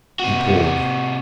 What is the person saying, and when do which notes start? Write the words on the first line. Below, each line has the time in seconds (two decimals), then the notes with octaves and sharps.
He paused.
0.20 C3 F#4